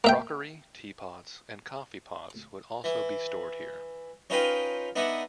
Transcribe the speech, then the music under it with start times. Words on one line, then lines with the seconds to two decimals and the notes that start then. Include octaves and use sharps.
Crockery, tea pots and coffee pots would also be stored here.
0.04 A#3 E5 G5
2.84 E3
4.30 C#4 D#4 F4 B4 F5 G5
4.96 B3 D4 D#4 E5 F#5